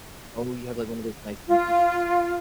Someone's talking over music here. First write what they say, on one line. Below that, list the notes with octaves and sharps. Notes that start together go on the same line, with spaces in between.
Oh, you have, like, one of those nice vintage
F4